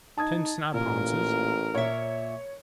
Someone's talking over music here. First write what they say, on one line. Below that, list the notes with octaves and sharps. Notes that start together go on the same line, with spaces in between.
Ten snaphaunces.
D#4 A5 D#6 G#6
A1 A#2 A#4
A#2 C#5 E5